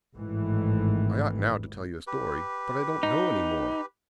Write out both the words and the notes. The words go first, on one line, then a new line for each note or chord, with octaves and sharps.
"I ought now to tell you a story; but I don't know any more."
G#1 A2 E3
G4 B4
D#4